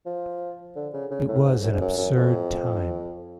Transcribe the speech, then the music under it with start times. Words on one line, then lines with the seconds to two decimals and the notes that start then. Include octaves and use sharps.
It was an absurd time.
0.06 F3
0.76 D3
0.93 C#3
1.11 C#3
1.28 A2
1.45 G#2
1.63 F#2
1.72 G#2
1.81 F#2
1.97 F#2
2.16 F2